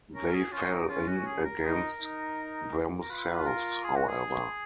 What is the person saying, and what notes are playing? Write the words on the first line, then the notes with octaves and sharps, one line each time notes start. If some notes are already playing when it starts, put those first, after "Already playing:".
They fell in against themselves, however.
C#4 A#4
G#4
C#4 F4
D#4
C#4 F4
F#4
G#4
A#4
D#4
D#4
A#4
F4 B4
A#4
G#4
F#4
G#4